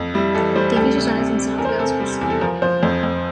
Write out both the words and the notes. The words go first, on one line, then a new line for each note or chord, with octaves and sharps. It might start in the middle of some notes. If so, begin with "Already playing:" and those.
Davies resides in South Wales with his family.
Already playing: F2
G3 E4
E3 A4
G3 C5
D2 A4
C3
C3
C3
E2 A#4
C5
A#4
C3 A4
G3
E2
A4
F3 A#4
F3 C5
F2 C5
F2